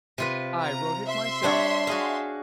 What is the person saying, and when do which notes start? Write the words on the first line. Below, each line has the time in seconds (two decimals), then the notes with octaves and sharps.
"I wrote it myself."
0.18 C3 F4 B4
0.63 A#5
1.08 E5 C6
1.43 G3 D4 C#5
1.87 F#4 G#4 F5